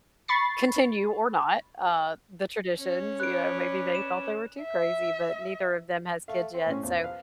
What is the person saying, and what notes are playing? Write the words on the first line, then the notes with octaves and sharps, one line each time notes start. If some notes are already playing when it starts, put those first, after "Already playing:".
continue or not, uh, the traditions, you know? Maybe they thought they were too crazy, but neither of them has kids yet, so
B5 C#6 A6 C7
C#4
B4 D5 F#6 D7
E7
E5
A3 F5
C4
A2 C#4
E2 F3
B4 F5